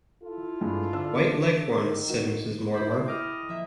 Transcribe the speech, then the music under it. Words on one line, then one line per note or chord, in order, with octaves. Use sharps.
White Leghorns, said Mrs Mortimer.
E4 F4 A4
G2 G#3
D3 D4 E6
D#3
A#3 D#4 F#4
E4 A4 C5 B5
G5
D#5 D6 F6
F3 A#3 E5